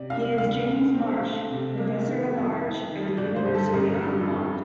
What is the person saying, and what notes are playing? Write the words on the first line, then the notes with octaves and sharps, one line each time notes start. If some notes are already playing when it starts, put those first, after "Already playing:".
He is James Marsh Professor-at-Large at the University of Vermont.
Already playing: C3 D5
C2 F5
D2 F5
D3
C4
A3
C3
A#3
D#3
F2
F2
D#3
G1 D5
C5
G1
A4
A1 A#4
G2
F2